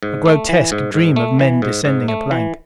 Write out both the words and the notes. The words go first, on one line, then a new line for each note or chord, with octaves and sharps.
A grotesque dream of men descending a plank.
G#2
A3
E3
G#2
G#2
A3
E3
G#2
G#2
A3
E3